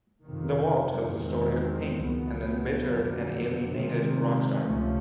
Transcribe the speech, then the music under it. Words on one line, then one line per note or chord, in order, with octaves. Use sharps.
"The Wall" tells the story of Pink, an embittered and alienated rock star.
F2 C3 D#3
E2 C3 D#3 G#3 C4
C#2 C#3 F#3 B3
F2 D3 F#3
C3 D#3 G#3 C4
C#2 C3 F3 A3 C#4